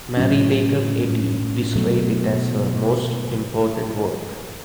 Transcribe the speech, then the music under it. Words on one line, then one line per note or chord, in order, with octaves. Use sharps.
Mary Baker Eddy described it as her most important work.
A2 F#3 C#4
B2 F#3 A3